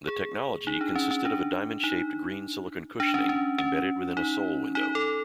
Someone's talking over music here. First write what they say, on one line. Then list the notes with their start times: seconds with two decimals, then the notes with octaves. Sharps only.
The technology consisted of diamond-shaped green silicon cushioning embedded within a sole window.
0.08 G#4
0.67 D#4
0.81 D4
0.95 C#4
1.11 C#4
1.25 D4
1.84 D#4
3.00 D4
3.14 C#4
3.29 C#4
3.58 C#4
4.17 D#4
4.75 D#4
4.95 A4